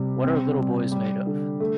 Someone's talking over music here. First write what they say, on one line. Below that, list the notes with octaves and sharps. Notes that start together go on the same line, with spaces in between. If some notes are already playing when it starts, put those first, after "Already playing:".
What Are Little Boys Made Of?
Already playing: C3 G3
C4
G3
G3
D3
A3